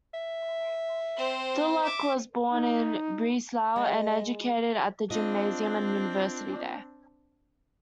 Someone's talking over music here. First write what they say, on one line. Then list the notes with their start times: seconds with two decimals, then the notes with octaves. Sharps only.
Tholuck was born at Breslau, and educated at the gymnasium and university there.
0.14 E5
1.16 C4 C5
1.83 E5 D6
2.51 D#4
3.76 G#3 D#5 A5
5.11 C4 D4 F4 D#5